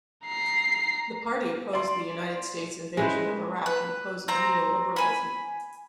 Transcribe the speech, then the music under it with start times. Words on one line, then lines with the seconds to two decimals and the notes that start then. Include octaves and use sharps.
The party opposed the United States invasion of Iraq and opposes neoliberalism.
0.25 A#5 C7
1.73 D5 C6
2.97 G#3 C#4 E4 G#4 B4 C5
3.66 B4
4.28 C4 A#5
4.96 G#5 B5